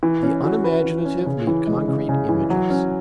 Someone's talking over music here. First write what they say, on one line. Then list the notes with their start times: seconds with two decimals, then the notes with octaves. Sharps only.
The unimaginative need concrete images.
0.03 E3
0.23 C#4
0.44 F#4
0.64 B4
0.85 E3
1.05 C#4
1.26 C#3
1.47 E3
1.67 G#3
1.88 C#3
2.09 C#3
2.29 E3
2.50 F#3
2.70 C#4